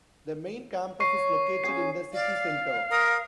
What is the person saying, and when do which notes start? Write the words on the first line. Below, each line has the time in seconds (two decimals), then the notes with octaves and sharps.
The main campus is located in the city centre.
1.00 C#5 C#6 C7
1.64 C#4 G#4 G#5 C7
2.13 D5 F5
2.91 A#4 D#6